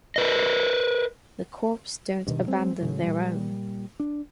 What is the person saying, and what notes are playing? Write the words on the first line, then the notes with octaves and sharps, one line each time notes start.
The Corps don't abandon their own.
A#4 B4 D#5
G2 B2 D3 D#3
F#3 G#3 C4
A2 C#3 F#3
A#2 G3
D4